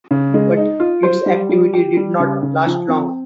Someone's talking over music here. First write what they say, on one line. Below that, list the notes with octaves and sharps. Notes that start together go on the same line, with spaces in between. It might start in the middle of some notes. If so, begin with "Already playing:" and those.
But its activity did not last long.
C#3
G#3
D#4
F4
C5
G3
G3
G4
G3
C#3
C#3
F3
C4